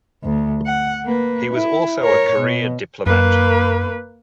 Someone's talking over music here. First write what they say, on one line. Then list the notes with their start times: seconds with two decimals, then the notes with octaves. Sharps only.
He was also a career diplomat.
0.24 D2
0.66 F#5
1.06 A#3 B4
1.54 E4
2.03 A#4 C#5
2.40 B2
3.06 F#2 A#3 B4